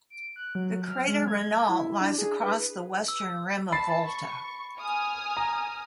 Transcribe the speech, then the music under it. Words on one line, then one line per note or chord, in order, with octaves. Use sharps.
The crater Regnault lies across the western rim of Volta.
D7
F#6
F#3
F6
G#3
G#6
E4
D4
G#4
B4
E6
A5 B5 A6 C7
C#6
G#5 D#6 F6
A#5